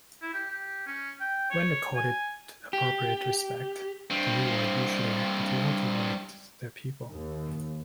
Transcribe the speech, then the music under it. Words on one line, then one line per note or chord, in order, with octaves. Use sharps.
When accorded appropriate respect, taniwha usually acted well towards their people.
E4
G4
G4
C#4
G5
C#5
G#5
G4
G2 C4
D#2